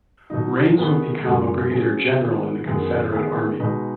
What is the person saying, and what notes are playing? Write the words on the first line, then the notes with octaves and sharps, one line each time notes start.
Rains would become a brigadier general in the Confederate Army.
B2 F#3 D#4
D#3 B3 G#4 B4
F#2 C#3 G#3
F#3 C#4 G#4 B4
D#3 B3 G#4 B4
F#2 D#3 B3 G#4
D#3 B3 G#4 B4
B2 G#3 D#4 G#4 B4